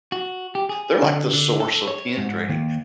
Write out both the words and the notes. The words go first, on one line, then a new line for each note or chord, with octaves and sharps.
they're like the source of pin trading.
F#4
G4
G#4
D3
D3
A4
C#5
G#2
D#2